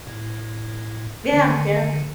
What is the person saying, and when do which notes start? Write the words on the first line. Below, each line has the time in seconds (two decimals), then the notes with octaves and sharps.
Yeah, yeah.
0.07 A2
1.33 D3 D#3